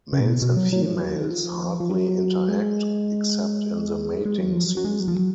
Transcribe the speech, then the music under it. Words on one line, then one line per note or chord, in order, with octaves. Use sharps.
Males and females hardly interact, except in the mating season.
C#3
A#2
B2
B2
F#3
F#3
D#3
F3
F#3
D#3
F3
F3
F#3
G#3
G#3
F#3
F3
F#3
F#3
G#3
F#3
F3
F#3